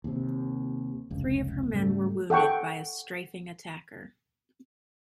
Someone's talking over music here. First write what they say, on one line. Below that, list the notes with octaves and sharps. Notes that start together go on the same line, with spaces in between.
Three of her men were wounded by a strafing attacker.
D#2 C3
F1 C#2
G#2 C#3 G3 A3
A4 F#5 G5 C#6